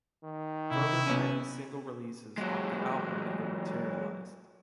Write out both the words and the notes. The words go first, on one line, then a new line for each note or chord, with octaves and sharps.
Further planned single releases off the album never materialised.
D#3
C3 E4
B1 B3 C#4
F#3 G#3